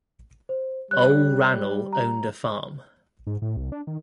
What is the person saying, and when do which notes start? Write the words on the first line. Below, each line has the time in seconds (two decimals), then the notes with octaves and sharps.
Ole Ran'l owned a farm.
0.49 C5
0.91 G3 C#5 F#6
1.93 A#5
3.27 G#2
3.42 A2
3.57 C2
3.72 D4
3.87 D#3